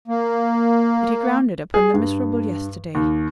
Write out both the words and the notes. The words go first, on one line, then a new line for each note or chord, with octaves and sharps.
Did he ground it upon the miserable yesterday?
A#3
G#4
G2
D#2